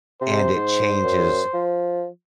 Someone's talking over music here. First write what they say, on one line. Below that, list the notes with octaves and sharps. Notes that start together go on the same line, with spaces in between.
and it changes
C3 C5
G#2
F#2
F3